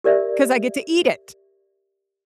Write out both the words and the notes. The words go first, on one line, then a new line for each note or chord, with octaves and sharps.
'Cause I get to eat it."
G4 A#4 D5 E5